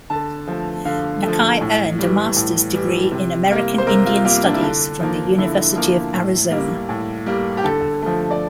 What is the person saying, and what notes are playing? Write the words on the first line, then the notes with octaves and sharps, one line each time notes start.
Nakai earned a master's degree in American Indian studies from the University of Arizona.
D3 A5
F3 A3
D3 F5
F3 A3
A2
E3 G3
A2
E3 G3
C3
G3 A#3
C5
C3 A#4
F4
G3 A#3 F4
D4
E4
D3 D4
F3 A#3
D3 E4
F3 A#3
A2
G3 A#3
A2
G3 A#3
G4
D3 A4
F3 A3
D5